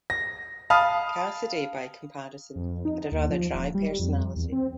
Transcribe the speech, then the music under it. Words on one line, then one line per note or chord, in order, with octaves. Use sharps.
Cassidy, by comparison, had a rather dry personality.
A#6
F5 A5 B5 D#6 F6
F2
D#4
D#2
F3
D#1
G3
F2
E2
C4